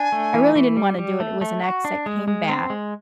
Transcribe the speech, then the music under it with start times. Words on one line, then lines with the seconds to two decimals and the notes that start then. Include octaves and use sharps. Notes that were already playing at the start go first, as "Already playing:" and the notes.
I really didn't wanna do it, it was an ex that came back
Already playing: D4 G#5
0.12 A3
0.34 E3
0.56 E3
0.77 G3
0.99 G3
1.20 A3
1.41 A3
1.63 F#4
1.85 D4
2.06 G#3
2.28 G#3
2.49 C4
2.70 G#3